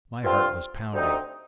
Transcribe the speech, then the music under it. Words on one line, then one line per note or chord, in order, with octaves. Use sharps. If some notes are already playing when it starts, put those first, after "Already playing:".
My heart was pounding.
G2 D3 F3 C4 F4
D2 C3 G3 C4 D#4